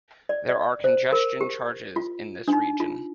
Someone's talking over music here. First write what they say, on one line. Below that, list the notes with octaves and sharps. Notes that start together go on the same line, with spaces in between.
There are congestion charges in this region.
D5
D5
C5
A#4
G4
F4
D4
D#4
F4